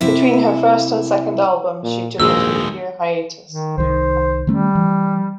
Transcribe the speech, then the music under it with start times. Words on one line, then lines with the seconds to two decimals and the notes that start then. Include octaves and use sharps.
Between her first and second albums, she took a three-year hiatus.
0.01 C3 E4
1.83 A#2
2.20 A#1 D#2 G#3 F#4 G#4 A#4 E6
3.48 D#3
3.78 C2 D#3 C5
4.47 D#3 G3 A3 C#4
4.75 E3